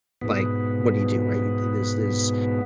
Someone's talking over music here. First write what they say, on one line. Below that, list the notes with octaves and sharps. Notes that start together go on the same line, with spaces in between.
like, what do you do, right? Th there's there's
G#2 B2 B3